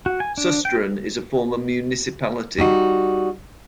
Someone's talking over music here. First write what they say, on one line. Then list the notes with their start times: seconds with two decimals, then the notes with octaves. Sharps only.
Susteren is a former municipality.
0.06 F#4
0.20 G#5
0.38 D4
0.65 G5
2.58 G3 D#4 F#4